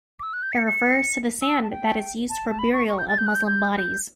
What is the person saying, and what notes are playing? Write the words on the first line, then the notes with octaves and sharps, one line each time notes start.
It refers to the sand that is used for burial of Muslim bodies.
D6
E6
F#6
G6
C#7
C#7
E6
A5
G5
A5
A5
B5
C#6
C#6
G6
A6
G6
F#6
G6
G6
G6